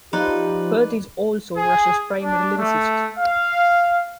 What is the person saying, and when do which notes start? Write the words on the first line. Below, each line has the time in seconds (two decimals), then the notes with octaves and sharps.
Peart is also Rush's primary lyricist.
0.13 F3 D#4 G4 B4 D5
1.56 G#4
2.23 D4
2.57 A3
3.18 F5